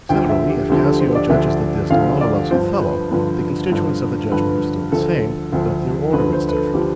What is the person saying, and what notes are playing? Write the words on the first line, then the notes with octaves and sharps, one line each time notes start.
Similarly, if Cassio judges that Desdemona loves Othello, the constituents of the judgement are still the same, but their order is different.
D2 D3 F3 G5
E5
G4
D2 D3 F3 G4
A4
C5
D5
D2 D3 F3 E5
D2 D3 F3 F5
D5
G2 D3 F3 C5
B4
G2 D3 F3 B4
G2 D3 F3
G2 D3 F3 B4
D2 D3 F3 A4
D2 D3 F3
D2 D3 F3 B4
C5
B4
A4
D3 F3 G4